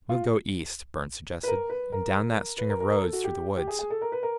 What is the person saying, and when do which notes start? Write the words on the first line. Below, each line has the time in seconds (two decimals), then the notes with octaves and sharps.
"We'll go east," Burne suggested, "and down that string of roads through the woods."
0.09 F4
1.43 B4
1.47 A#4
1.70 B4
1.92 A#4
2.58 B4
2.69 A#4
2.80 A#4
2.91 A#4
3.02 A4
3.13 F#4
3.24 G4
3.57 G4
3.68 G#4
3.79 G#4
3.90 A4
4.01 A#4
4.12 B4
4.23 A#4